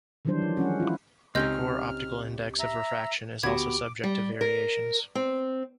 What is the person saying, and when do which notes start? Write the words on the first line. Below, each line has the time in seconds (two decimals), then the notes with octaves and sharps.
The core optical index of refraction is also subject to variations.
0.25 D#3 E3 F#3 G3 D4 C5
0.42 F3
0.57 F#3 G#3 C#4 F#4
0.80 E4 F4
1.35 C#2 C4 C#4 D#4 G4 D#5 F6 G6
2.59 E5 A#5
3.43 D2 B3 F#4 G4 D6 G#6
4.04 G3
4.41 A#4
5.15 C4